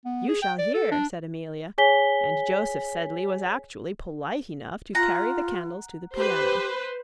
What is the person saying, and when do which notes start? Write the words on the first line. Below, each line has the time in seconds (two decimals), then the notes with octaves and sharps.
"You shall hear," said Amelia; and Joseph Sedley was actually polite enough to carry the candles to the piano.
0.05 B3
0.28 G#4
0.42 G5
0.58 D5
0.74 A4
0.92 D4
1.78 G#4 C#5 G#5 B6 G7
4.95 F4 F#5 A#5
6.16 G4 B4 C5